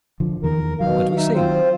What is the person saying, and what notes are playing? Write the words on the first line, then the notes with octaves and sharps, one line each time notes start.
But we sing.
D3 F3
E2 D#3 A#4
B2 D#3 F#3 F5
D#4 E5
C4 F4 C5